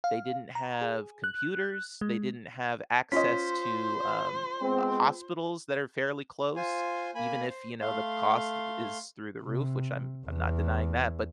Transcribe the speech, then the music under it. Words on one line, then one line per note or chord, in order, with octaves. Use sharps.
they didn't have computers, they didn't have access to, um, uh, hospitals that are fairly close, even if, you know, the cost is through the roof, which I'm I'm not denying that, but
F5
A#5
G#4
F#6
G#3
C#4 F4 C5 C#5 D#5 B6
G#3 B3 C4
F4 C5 G#5
A#3 G#5 B5
C5
A3 F5 C6
C3
E2